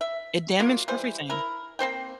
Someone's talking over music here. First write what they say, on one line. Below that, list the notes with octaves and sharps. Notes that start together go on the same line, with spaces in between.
it damaged everything.
E5
F#3 A#3 F4
E3 G3 C5
E4 A#4
A#3 C4 C5 G5